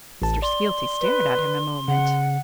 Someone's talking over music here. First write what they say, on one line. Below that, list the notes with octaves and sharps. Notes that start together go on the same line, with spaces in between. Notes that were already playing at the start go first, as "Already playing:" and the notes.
Mr. Skeelty stared at him a moment.
A1 A5
D5 C6
B4
C#3 F#5